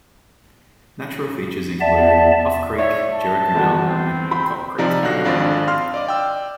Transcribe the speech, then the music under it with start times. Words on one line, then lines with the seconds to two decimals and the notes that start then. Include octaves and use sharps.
Natural features include Hough Creek, Jericho Mountain, and Pidcock Creek.
1.80 E2 B3 D5 E5 A5
2.78 C#5 D5 E5
3.14 A5
3.55 G1 E2 F#4
3.87 C4
4.31 B5
4.78 C3 F3 D#4 D5 A#5
5.03 B1 D3 F#4 F#6 A#6
5.25 G#1 F2 D4 F4 D5
5.67 F5 C6 F6
5.94 D5 D#5 D6
6.07 D5 G5 E6